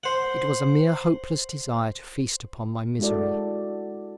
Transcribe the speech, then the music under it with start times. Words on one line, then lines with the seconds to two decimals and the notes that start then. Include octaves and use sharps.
It was a mere hopeless desire to feast upon my misery.
0.03 C5 F#5
2.99 G#3 D4 E4 F#4 A4 D5